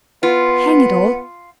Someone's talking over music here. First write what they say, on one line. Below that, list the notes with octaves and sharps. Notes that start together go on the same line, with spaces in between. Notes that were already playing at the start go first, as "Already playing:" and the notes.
Hang it all!
B3 F4